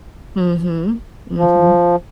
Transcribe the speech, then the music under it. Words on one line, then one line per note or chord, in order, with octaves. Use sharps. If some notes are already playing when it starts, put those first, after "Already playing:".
Mhm. Mhm.
F3